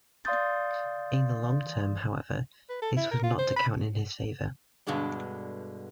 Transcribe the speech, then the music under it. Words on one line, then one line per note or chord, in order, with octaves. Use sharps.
In the long term, however, this was not to count in his favour.
D5 F5 C6 D#6 G6 A6
B4
A4
E4
A#4
F4
C5
B5
G2 B2 D3 G#3 D4